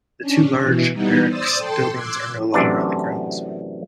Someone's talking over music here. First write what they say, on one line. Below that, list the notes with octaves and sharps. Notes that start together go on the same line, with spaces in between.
The two large barracks buildings are no longer on the grounds.
C#4 D4
B2 E3
E3 G3 B3 D#4
C5 D5 D#6 E6 A6
A4 G5 C6
C6 D6 E6 F#6 G#6
F#2 A2 C3 E3 D4